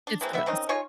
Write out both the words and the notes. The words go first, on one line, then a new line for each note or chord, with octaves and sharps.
It's the best.
D4
E3 G#3 A#3 C4
G3 B3 E5
D#3 C4 C#4 D#4
D#4 F4 C#5 G#5